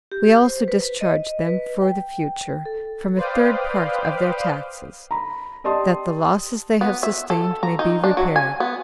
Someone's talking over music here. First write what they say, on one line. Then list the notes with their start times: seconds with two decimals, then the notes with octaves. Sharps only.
We also discharge them for the future from a third part of their taxes, that the losses they have sustained may be repaired.
0.11 G4
0.45 C5
0.68 B4
1.01 D#5
1.47 B4
1.82 G5
2.65 A4
3.16 B4 C5 D5 F5 G5 D#6
5.11 A#5 B5
5.64 G4 D5 D#5 A5 C6 D#6
6.81 B3
7.03 E5
7.30 A4
7.63 A#5
7.79 D#4
8.04 D4
8.17 F#3
8.36 G#5
8.60 B3